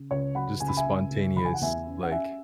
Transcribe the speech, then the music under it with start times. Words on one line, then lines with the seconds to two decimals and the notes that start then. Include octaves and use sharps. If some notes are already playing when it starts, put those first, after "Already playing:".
Just the spontaneous, like
Already playing: C#3
0.11 C#2 C#5
0.35 F#3 F#5 B5
0.60 C#2 G#5
0.68 B5
0.77 E5 G#5
0.86 C#3
1.10 C#2
1.36 E3 B5
1.45 G#5
1.54 F#5
1.61 E2 E5 G#5
1.86 C#4
2.03 F#5
2.12 C#4 E5 G#5